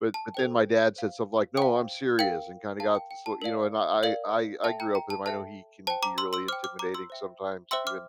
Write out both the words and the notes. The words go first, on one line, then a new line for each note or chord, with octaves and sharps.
but but then my dad said something like, "No, I'm serious," and kinda got sl you know, and I I I grew up with him. I know he can be really intimidating sometimes even
A5
A4 C5 G5
C5 F5
C5 F5 G5
A#4 F5 G5
A#4 F5 A5
G5
G5
A5
A#4 D5 F5
A#4 D5 F5
A4 E5 G5 A5
G5 A#5
G5 A#5
A5
A4 E5 G5 A5
C5 G5 A5
A#5 D6
C6 E6
C6 E6
C5 G5 D6 F6
D6 F6
A#5 D6
C6 E6
C5 E5 G5
C5 E5 G5 C6 E6
D6 F6